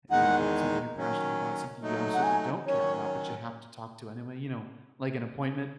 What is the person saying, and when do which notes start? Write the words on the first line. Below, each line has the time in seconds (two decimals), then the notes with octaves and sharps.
uh, you know, something you're passionate about, something you absolutely don't care about, but you have to talk to anyway, you know? Like an appointment
0.10 E2 D#3 G#3 D#4 F#5
0.96 D#3 F#3 C#4
1.82 F#3 A3 D#4
2.14 F#5
2.23 G#5
2.66 D#3 F#3 C#4 C#5